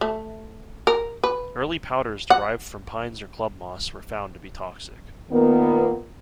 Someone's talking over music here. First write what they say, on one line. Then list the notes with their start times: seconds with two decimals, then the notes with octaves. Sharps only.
Early powders derived from pines or club moss were found to be toxic.
0.01 A3
0.87 A#4
1.24 B4
2.30 F#5
5.31 A#2 D#3 A#3 B3